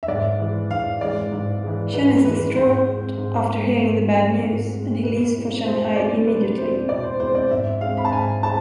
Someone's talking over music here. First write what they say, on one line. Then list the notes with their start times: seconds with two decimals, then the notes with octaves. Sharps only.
Chen is distraught after hearing the bad news and he leaves for Shanghai immediately.
0.03 E5
0.08 G#2 D5
0.40 E3 G#3
0.71 G#2 F5
1.01 E3 G#3 D5
1.32 G#2
1.63 E3 G#3
1.94 G#2 B4
2.25 E3 G#3 B4
2.56 G#2 C5
2.87 G#3 C4
3.18 G#2
3.49 G#3 C4
3.80 G#2
4.10 G#3 C4
4.41 G#2
4.73 G#3 C4
5.03 B2 B4
5.35 G#3 C4 E4
5.65 B2 C5
5.96 G#3 C4 E4 D5
6.27 B2 B4
6.58 G#3 C4 E4 C5
6.89 B2 D5
7.04 C5
7.20 G#3 C4 E4 C5
7.35 D5
7.50 G#2 E5
7.81 G#3 C4 F5
7.97 B5
8.05 A5
8.12 G#2 G#5
8.43 G#3 C4 A5